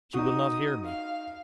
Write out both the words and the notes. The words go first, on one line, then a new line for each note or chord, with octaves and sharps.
She will not hear me.
D#4 F#4 D#6
F5